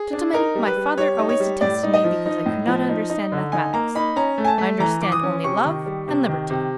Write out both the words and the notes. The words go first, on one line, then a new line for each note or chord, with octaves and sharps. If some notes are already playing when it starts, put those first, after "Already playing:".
Gentlemen, my father always detested me because I could not understand mathematics. I understand only love and liberty.
Already playing: G#4
D4
D#4 A#4
G3
B4
G3
G3 C#5
D#4
C#5
G3
A2 D5
D#4
D#5
F3
D#4
A2
F3
D#4
D#4
D3
D#4 G#5
A#3 A#5
D#4 B5
C#4 A#5
A3
G#5
A5
A3
E3 A#5
E3 D6
D#6
C#4
C3 C#6
D#3
G3
C3
D#3
C3